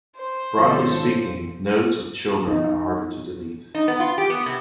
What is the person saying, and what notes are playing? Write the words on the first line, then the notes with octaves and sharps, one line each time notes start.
Broadly speaking, nodes with children are harder to delete.
C5
G#1 F3 C#4 A4
D#4
D#4
B3
F4
G4
B3
C3